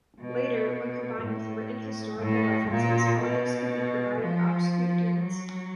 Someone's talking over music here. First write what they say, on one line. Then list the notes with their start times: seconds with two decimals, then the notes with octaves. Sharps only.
Later, when combined with written historical references, objects could be provided absolute dates.
0.21 B2
1.21 A2
2.20 A2
2.71 A#2
3.21 B2
4.20 F3
5.20 F#3